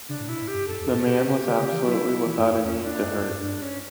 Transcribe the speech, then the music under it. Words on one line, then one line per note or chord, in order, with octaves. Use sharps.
The man was absolutely without a need to hurt.
C#3 D4
A2
B2 E4
A2
G4
G2
F#2 A4
E2
A2
B2 G4
C#3
D3
C#3
E3
F#3 E4
E3
G2
F#2
E2 C#4
D4
F#2
F#2
G2
G2 D4
C#4